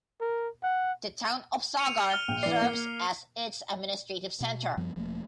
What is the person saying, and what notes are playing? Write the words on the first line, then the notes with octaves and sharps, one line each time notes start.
The town of Sagar serves as its administrative center.
A#4
F#5
C#7 D#7 F7
F6 G7
A#1 G5
E3 D5 C7
A#3
B2
F#2 F3 G3 B3
E1 F3 A3 A#3